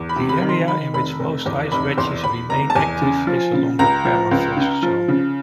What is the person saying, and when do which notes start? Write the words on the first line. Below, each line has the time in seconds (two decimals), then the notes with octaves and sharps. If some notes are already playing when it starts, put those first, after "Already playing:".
The area in which most ice wedges remain active is along the permafrost zone.
Already playing: E2
0.09 B5
0.16 C3
0.29 B5
0.42 D#3
0.49 C6
0.68 D#3 B5
0.94 F1 B5
1.20 F1
1.46 E2
1.72 F1 B5
1.98 E2 C6
2.24 E2 B5
2.49 F1 A#5
2.70 A5
2.75 E2 G#5
3.02 C#3
3.27 F3
3.53 C#3
3.79 C#2 A#5
4.05 F3
4.31 C#2
4.57 C#3
4.83 F3
5.08 C#3